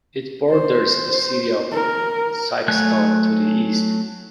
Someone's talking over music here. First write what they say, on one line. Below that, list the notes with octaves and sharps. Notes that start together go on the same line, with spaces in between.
It borders the city of Sikeston to the east.
C5
A#4
F#3 A3 G#5 F#6